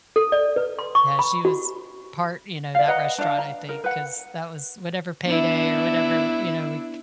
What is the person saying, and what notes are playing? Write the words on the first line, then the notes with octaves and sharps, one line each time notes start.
Yeah, she was part, you know, that restaurant, I think, 'cause that was whatever payday or whatever, you know, we
A4
D5
B4
C6
C#6
B5
F#4
D5 F5
B4 D#5 F#5 A#5
D4 F5
A#5
A#4
B4 F#5
B3 D4 E4